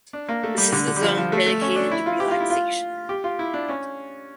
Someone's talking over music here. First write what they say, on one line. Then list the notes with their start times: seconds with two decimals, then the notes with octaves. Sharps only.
This is the zone dedicated to relaxation.
0.13 D4
0.29 A#3
0.43 A3
0.58 G3
0.72 D3
0.88 D3
0.96 G3
1.02 F3
1.17 F3
1.32 A3
1.46 A3
1.61 C#4
1.76 D4
1.91 E4
2.06 F4
2.20 G4
2.31 F4
2.40 E4
2.50 F4
3.09 G4
3.24 F4
3.39 E4
3.54 D4
3.69 C#4